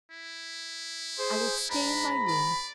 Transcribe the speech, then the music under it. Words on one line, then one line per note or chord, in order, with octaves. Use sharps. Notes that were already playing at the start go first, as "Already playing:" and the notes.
I will stay in my room.
E4
G#4 C5
G#2 D4 A#5 B5
D5